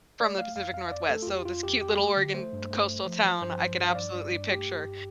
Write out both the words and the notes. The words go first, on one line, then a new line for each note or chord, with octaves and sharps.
from the Pacific Northwest. So this cute little Oregon coastal town, I can absolutely picture
A3 D5
A3 F5
F2 F5
F2 F5
F2 D5
A3 A4
F4
F2 G4
F2 F4
F2 G4
F2 G4
A3
D3
A3 C5
G2
A3
A3
F3
F3
G2 C5
F3
G2
F5
G2 D5
G2
G2
A3 G4
G2
G2